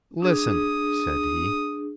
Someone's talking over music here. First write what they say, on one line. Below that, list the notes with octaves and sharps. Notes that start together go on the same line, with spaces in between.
"Listen," said he.
D4 G#4 D#6